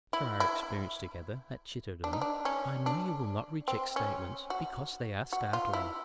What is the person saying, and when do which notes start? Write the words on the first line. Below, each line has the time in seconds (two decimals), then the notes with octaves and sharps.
After our experience together at Chittenden I know you will not reject statements because they are startling.
0.13 E4
0.40 E4
2.04 D4
2.13 D#4
2.21 D4
2.45 C#4
2.86 D4
3.68 C4
3.96 C#4
4.50 F#4
5.33 F#4
5.53 F4
5.73 E4